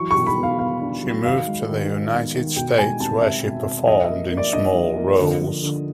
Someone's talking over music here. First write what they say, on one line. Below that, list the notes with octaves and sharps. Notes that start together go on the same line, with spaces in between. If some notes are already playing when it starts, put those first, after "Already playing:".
She moved to the United States, where she performed in small roles.
Already playing: E3 F#3 C#6
C#6
B2
B5
B3
F5
B3 F5
D4
F#3
D#3 F5
G#3
D#3
G#3
B3
D#3
B2 G5
G#3 G#5
C4 A5
C4 E5
B2
C4
F3 D#5
E5
A#3
A#3
D5
D4 D#5
F3
A#3
D3
F3
D3